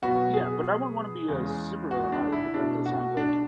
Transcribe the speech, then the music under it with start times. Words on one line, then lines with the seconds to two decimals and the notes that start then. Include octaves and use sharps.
Yeah, but I wouldn't wanna be a supervillain either 'cause that just sounds like
0.02 B2 F#3 B3 F#4
0.34 G#4
1.28 E2 C#3 G#3
1.91 F#4
2.12 D4
2.32 E4
2.54 B2 A3 D4
2.86 F#4
3.17 D4